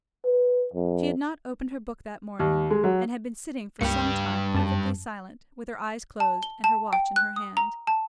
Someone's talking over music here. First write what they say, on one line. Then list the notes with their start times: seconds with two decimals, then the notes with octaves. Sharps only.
She had not opened her book that morning, and had been sitting for some time perfectly silent, with her eyes closed, and her watch in her hand.
0.25 B4
0.73 F2
2.39 D#2
2.70 G#3
2.84 F#3
3.81 C#2 G2 G3 A#3 G4 C#7
4.55 F#2 A5
6.20 A5
6.43 G7
6.64 A5
6.93 G5
7.16 F#6
7.36 D#6
7.57 A#5
7.87 A5